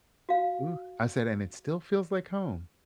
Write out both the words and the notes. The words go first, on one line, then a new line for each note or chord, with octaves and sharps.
Ooh. I said, and it still feels like home.
F#4 F5